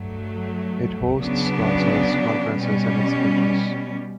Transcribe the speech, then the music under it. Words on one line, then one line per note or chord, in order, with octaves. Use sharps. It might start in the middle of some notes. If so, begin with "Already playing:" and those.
It hosts concerts, conferences and exhibitions.
Already playing: G2 F#3 A3
C#3 F#3 B3 D4
B2 G3 C#4